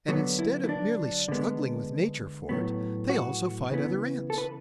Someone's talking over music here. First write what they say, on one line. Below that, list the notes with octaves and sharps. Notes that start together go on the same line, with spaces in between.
And instead of merely struggling with Nature for it, they also fight other ants.
D3 F#3 B3
E4
E4
D4
D3 G#3 B3
A2 F#3 B3
F#4
C#3 E3 B3
A4
B4